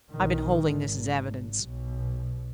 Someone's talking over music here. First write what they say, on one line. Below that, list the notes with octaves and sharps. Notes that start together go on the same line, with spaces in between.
I've been holding this as evidence.
B1 D#3
G#1
B1 B2